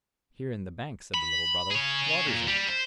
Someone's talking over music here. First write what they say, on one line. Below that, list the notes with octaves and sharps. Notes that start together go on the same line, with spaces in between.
"Here in the bank," said the little brother; "water's in it."
B5
G#4 C#5
A#2
G3
C5